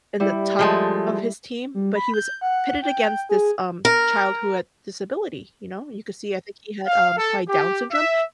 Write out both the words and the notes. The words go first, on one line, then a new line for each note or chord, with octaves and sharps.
in the top of his team, but he was pitted against this, um, child who had disability, you know? You could see, I think, he had, um, probably Down syndrome,
G3 E4
F3 G#3 A3
G3
B5
G6
F#5
G5
G#4
A#4
F5
A4
G4
E5